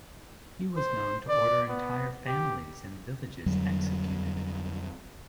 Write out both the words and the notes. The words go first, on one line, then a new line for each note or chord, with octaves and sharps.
He was known to order entire families and villages executed.
C5
D5
B3
G4
F2 D3 F#3 G3